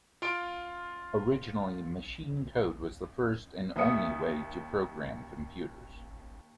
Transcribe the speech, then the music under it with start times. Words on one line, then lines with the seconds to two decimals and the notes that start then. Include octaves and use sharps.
Originally, machine code was the first and only way to program computers.
0.22 F4 F5 C6 D7
3.76 D#2 E5 D#6 C#7